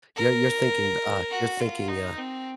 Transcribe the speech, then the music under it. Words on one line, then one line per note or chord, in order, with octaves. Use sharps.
Yeah, you're thinking, uh you're thinking, uh
A#4
F#4
F4
D#4
C4